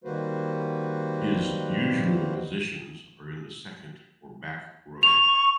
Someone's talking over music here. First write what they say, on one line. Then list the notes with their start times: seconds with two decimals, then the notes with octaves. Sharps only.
His usual positions are in the second or back row.
0.04 D#3 G3 A#3 F#4 B4 C5
5.03 C#6 F7